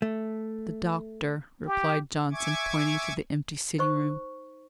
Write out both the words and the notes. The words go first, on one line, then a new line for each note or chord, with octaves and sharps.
"The Doctor!" replied Johnson, pointing to the empty sitting-room.
A3
G4
E5 G#5 C#6 D6 G#6
D#4 C5 C#6